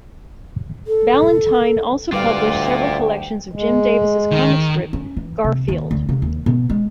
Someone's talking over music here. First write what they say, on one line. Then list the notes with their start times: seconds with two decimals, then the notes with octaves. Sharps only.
Ballantine also published several collections of Jim Davis' comic strip "Garfield".
0.87 A4
2.12 D2 G3 F4 B4 D5 F5 G5
3.52 G#3
4.31 D#3
4.93 C#4
5.17 E3
5.44 C3
5.68 D#2
5.91 D2
6.09 C3
6.22 D#2
6.46 B2
6.70 G#3